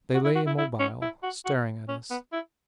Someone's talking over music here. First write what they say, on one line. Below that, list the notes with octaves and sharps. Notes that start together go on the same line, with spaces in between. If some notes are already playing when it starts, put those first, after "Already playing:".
They lay immobile--staring at us.
F#4
E4
F#4
E4
E4
C#4
E4
F#4
F#4
C#4
B3
E4